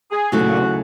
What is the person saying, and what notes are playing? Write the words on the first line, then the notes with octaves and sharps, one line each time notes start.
you know?
G#4
D#2 C#3 F#3 A3 E4 F#4